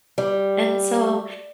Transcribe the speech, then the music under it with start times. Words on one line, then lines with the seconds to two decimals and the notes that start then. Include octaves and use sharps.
And so
0.18 G3